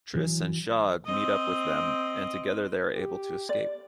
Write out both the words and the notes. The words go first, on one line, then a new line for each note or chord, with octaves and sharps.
Triss and Shogg meet up with them, and together they are able to escape.
E3 F#3
C4 D#5
G4
D5